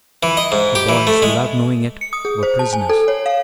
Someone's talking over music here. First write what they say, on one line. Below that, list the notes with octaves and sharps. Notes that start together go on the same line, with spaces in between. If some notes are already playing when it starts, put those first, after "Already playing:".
The boys, without knowing it, were prisoners.
E3
D#5
G#2
G4
E3
A3
G#3
C#7
D#6
G#4
C5
A5
G#5
A4
C#5
F5